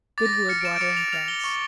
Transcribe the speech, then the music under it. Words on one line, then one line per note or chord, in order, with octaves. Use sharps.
Good wood, water, and grass.
D6 A6
A#6
A6
F6 C#7
D7
E7
D7
D6 C#7
F7
F6 F7
G7
C#6 G7